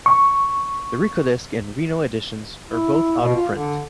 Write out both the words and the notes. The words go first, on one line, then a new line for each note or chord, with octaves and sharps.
The Rykodisc and Rhino editions are both out of print.
C#6
E4
B2
F4
D3